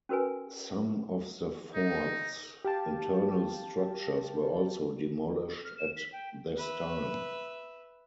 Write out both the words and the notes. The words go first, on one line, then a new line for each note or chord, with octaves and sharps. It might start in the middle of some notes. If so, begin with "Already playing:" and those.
Some of the fort's internal structures were also demolished at this time.
C#4 F#4 A#4 B4 G#5
D#4
G4 F5 G5 A5
F6
E7
B6
G5
B4 E5